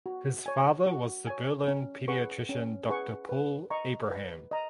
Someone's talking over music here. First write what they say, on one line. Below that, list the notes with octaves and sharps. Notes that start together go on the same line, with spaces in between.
His father was the Berlin pediatrician Doctor Paul Abraham.
F#4
C#5 G#5
F#4
C#5 G#5
C#4
G#4 B4 F#5 C#6
C#4
G#4 B4 F#5 C#6
B4
D#5 A#5 C#6
B4
D#5 A#5